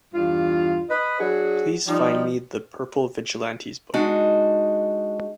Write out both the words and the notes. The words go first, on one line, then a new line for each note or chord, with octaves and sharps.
Please find me The Purple Vigilantes book.
E2 G2 F4
B4 D#5
F#3 D4 F#4 G#4
F3 G3 D#4
G#3 D4 D#4 F#4